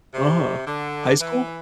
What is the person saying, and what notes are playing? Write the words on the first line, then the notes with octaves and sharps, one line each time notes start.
Uh-huh. High school?
C3
D3
E3